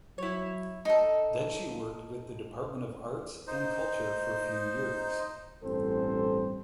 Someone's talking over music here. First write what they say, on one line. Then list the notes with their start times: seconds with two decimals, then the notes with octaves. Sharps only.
Then she worked with the department of Arts and Culture for few years.
0.18 F#3 E4 C#5
0.85 D#4 A4
3.47 D#4 C5
5.63 A1 G2 C4 A4 C5